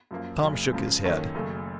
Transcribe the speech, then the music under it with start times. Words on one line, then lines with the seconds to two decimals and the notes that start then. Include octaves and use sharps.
Tom shook his head.
0.11 F#2 F3 A#3
0.42 F#1 F#2 C#3
0.73 C#2 C#3 F3
1.04 F#2 D#3 A#3 C#4 A4
1.34 F#1 F#2 C#3 A3